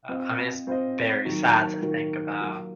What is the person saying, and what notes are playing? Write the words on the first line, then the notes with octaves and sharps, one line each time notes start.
Yeah. I mean, it's very sad to think about.
C4 F4 C5 D#5
C4 F4 C5 D#5
D#3 F#3 A#3 D#4 F#4
D#3 F#3 A#3 D#4 F#4
F#3 A#3 F4